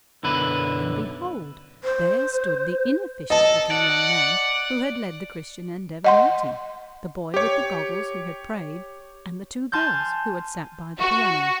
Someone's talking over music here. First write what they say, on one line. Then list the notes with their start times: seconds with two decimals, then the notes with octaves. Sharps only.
And behold, there stood the inefficient-looking young man who had led the Christian Endeavor meeting, the boy with the goggles who had prayed, and the two girls who had sat by the piano.
0.23 B1 F#2 D3 E4 B4
1.84 C5
3.30 A4 D#5 A5
3.71 D5 F#5
6.04 D#5 F#5 C6
7.34 G4 C#5
9.72 G#5 A5 C6 F6 G6
10.99 F#4